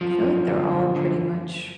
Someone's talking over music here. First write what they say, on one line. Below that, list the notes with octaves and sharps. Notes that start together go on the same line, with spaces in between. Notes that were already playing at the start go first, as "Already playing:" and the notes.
I feel like they're all pretty much
F#2 F3
F#2
D3
F#2
D3